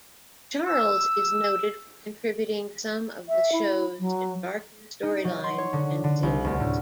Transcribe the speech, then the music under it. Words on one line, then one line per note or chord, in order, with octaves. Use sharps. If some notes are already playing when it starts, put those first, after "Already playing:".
Charles is noted for contributing some of the show's darker storylines and scenes.
E6
E5
E4
F#3
D#4
F#3
C6
C#5
D3
D3
C2
D2
A2